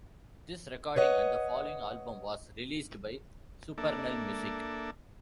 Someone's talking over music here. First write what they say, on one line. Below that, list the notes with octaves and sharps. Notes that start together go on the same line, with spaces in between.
This recording and the following album was released by Supernal Music.
B4 C#5 D#5 F#5
A#3 D4 A4 E5